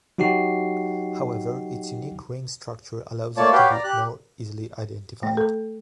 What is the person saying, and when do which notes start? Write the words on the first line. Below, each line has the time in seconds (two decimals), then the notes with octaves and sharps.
However, its unique ring structure allows it to be more easily identified.
0.18 F#3 D#4 F#4 G4 C7
3.37 A3 A#3 F4 C#5 D5 A5
3.53 F#4 G4 B4 C#5 F5 G5
3.70 D5 A#5
3.84 G4 F#6
5.23 A3
5.37 A4